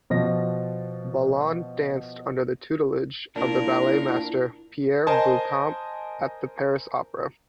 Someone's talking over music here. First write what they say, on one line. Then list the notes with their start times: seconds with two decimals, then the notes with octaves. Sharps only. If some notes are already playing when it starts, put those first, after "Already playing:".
Balon danced under the tutelage of the balletmaster Pierre Beauchamp at the Paris Opera.
0.10 B2 F3 A#6
3.36 A#2 A#3 D4 E4 A#4
5.07 A#4 C5 D#5 G#5 A5